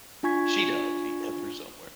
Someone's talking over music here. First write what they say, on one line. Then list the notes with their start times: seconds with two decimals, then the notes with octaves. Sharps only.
She does see out there somewhere.
0.23 D4 F4 G#5 C#6 G#6 B6